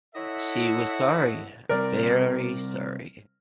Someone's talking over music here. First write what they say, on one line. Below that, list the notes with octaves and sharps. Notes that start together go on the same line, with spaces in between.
She was sorry, very sorry.
E4 A4 C#5 D#5 E5 F#5
C3 G3 C4 A#4 D5